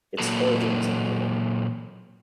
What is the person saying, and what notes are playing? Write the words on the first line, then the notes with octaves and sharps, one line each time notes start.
Its origin is unclear.
A#2 F#3 A#3 A4 B4